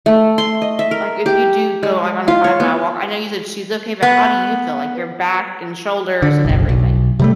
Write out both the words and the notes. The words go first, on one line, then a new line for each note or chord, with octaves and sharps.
a like, if you do go, like, on a five-mile walk I know you said she's okay, but how do you feel? Like, your back, and shoulders, and everything.
A3
C6
D#5
E5
A#4
G4
G#3
F4
C#5
B3
B3
D3
F#1 B1
B1
C3 G3 A3